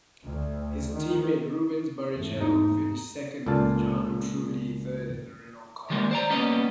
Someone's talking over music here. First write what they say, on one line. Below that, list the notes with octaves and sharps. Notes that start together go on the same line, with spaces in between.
His teammate Rubens Barrichello finished second with Jarno Trulli third in a Renault car.
D2
D#3
E2 G#2 A3
D#4
C#2 A#2 A4 D5 F5 A5
D#3 G3 G#3 A#3
C5 D5 A#5
G3 A#3 B3 C#4 D#5